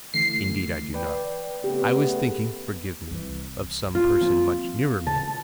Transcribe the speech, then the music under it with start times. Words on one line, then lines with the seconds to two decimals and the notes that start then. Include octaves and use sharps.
"Indeed I do not; I was thinking--forgive me--of some person much nearer me."
0.14 D3 E3 A3 C7
0.94 B4 D5 G5
1.64 C#3 A3 B3 G4
3.11 C2 E3
3.95 F4
4.21 F3 A#3 C4
5.07 C#3 A5